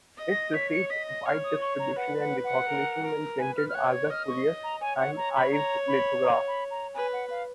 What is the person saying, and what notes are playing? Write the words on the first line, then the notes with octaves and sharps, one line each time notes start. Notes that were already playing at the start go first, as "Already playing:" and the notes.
It received wide distribution and recognition when printed as a Currier and Ives lithograph.
D#5
A#6
C#5 B6
C#7
D#5 B6
A#6
C#5 F6
D#6
C#6
A#5
B4 F#5
F#5
F#5
A#4
A#4
B4 G#5
F6
F6
C#5 F#6
G#6
D#5 F6
C#6
A#5
C#5 G#5
F#5
A#5
B5
A#5
B5
A#5
B5
A#5
B4 G#5
F#5
F5